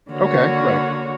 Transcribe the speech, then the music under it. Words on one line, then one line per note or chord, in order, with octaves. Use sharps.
Okay, right.
D3 A#3 F#4 C#5